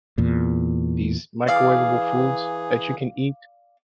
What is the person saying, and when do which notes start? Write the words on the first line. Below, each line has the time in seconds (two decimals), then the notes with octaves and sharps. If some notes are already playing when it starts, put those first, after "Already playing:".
these microwavable foods that you can eat.
0.18 E2 A#2
1.47 E3 G#4 D5 F5